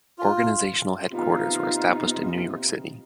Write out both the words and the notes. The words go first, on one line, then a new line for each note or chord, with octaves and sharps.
Organizational headquarters were established in New York City.
F4
C3 B3 D#4 F4